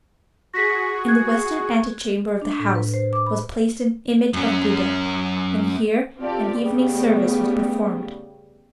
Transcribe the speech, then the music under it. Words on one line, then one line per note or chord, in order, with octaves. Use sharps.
In the western antechamber of the house was placed an image of Buddha, and here an evening service was performed.
F#4 G#4 C#6 A#6 B6
F#6 G#6
D4
A2
B4
C5
D6
B5
F#2 C#4
C4 F4 G4 A4 D5
C#3 G3 A3 B3